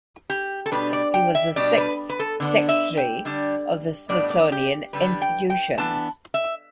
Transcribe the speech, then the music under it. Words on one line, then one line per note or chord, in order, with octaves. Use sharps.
He was the sixth Secretary of the Smithsonian Institution.
G4
A4
B2 G3 D4 B4
D5
G5
E5
B2 G3 D4 D5
B4
B4
A4
D3 B3 D4
E5
G5
D3 G3 D4
A2 G3 B3 D4 D5
D5
G4
D3 G3 D4 B4
G5
G5
E3 B3 D4 A5
E5